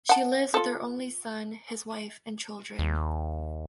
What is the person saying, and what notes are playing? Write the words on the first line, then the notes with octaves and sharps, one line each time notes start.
She lives with her only son, his wife and children.
F#5 A5
F4 A4
D#2